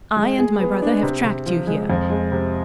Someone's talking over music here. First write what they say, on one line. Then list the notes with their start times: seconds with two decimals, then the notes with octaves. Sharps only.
I and my brother have tracked you here.
0.17 G#3
0.39 G#4
0.60 B3
0.82 D4
1.03 C3
1.24 C3
1.46 F3
1.67 G#3
1.90 F2
2.10 G#3
2.32 C3